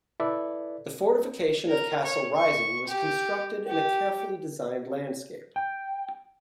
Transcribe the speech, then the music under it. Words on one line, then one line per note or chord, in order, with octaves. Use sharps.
The fortification of Castle Rising was constructed in a carefully designed landscape.
E4 A4 B4 D5 E5
A#4
C#5
C#6
G4
G4
G5